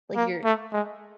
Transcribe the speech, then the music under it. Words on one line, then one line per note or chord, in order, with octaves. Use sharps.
Like, you're
A#3
A3
G#3